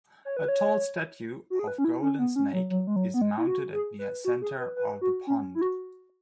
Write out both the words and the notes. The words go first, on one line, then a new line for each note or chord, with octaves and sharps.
A tall statue of golden snake is mounted at the center of the pond.
C#5
B4
C#5
F#4
G#4
B4
C#4
E4
C#4
B3
C#4
F#3
F#3
G#3
F#3
B3
G#3
E4
F#4
G#4
B4
F#4
G#4
B4
B4
F#4
C#4
E4
F#4